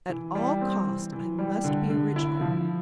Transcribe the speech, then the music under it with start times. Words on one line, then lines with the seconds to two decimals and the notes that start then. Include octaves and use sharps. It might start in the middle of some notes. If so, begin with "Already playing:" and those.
At all costs I must be original.
0.09 E3
0.35 G3
0.61 C4
0.87 E3
1.12 E3
1.39 G3
1.64 D3
1.90 D3
2.16 E4
2.41 F3